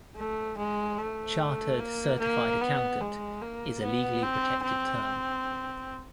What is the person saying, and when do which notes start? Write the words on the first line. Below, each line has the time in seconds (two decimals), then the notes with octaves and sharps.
Chartered Certified Accountant is a legally protected term.
0.17 A3
0.58 G#3
0.99 A3
1.80 A#3
2.20 A#3
2.61 B3
3.01 G#3
3.42 A#3
3.82 B3
4.23 C4
4.64 C4